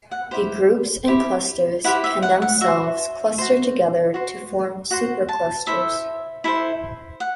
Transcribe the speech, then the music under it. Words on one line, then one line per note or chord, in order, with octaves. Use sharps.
The groups and clusters can themselves cluster together to form superclusters.
F#5
E4 G4 C5
E4 G4 C5
E4 G4 C5 F#5
E5
F#5
F#5
F#4 C5 E5
F#4 C5
F#4 C5
F#4 C5 F#5
A5
E4 A4 C5 E5
E4 A4 C5
F#5